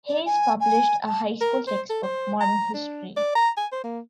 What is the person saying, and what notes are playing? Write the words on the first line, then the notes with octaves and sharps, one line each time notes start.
Hayes published a high school textbook, Modern History.
D5
G#5
G#5
A5
A#4
C5
A4
C5
A#5
D4
D5
A#5
G#5
C5
A#3